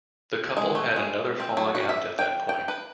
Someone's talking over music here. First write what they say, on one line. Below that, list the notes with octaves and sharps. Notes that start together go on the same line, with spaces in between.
The couple had another falling out at that point.
G#3
A3
G#3
C4
F#3
F#4
E5
G5
G5
B4